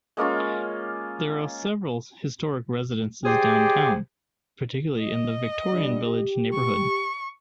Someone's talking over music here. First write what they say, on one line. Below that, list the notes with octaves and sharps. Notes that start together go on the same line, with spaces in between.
There are several historic residences downtown, particularly in the Victorian Village neighborhood.
G#3 A#3 C#4 F4
G4 G#4 C5 D5
D#5
D3 G3
G4
C#6